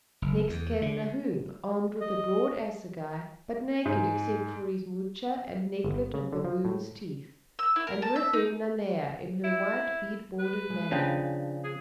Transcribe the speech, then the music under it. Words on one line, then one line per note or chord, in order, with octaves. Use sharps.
Next came Nahoon, armed with a broad assegai, but naked except for his moocha and necklet of baboon's teeth, and with him Nanea in her white bead-bordered mantle.
F#1
E2
D3
D#5
G#2
G1
C#3
D3
F3
A2
E6
E4
A#4
A5
E5
D#4
E4
B4
G#3
C#3 F3 D4 G#4 G5
G#4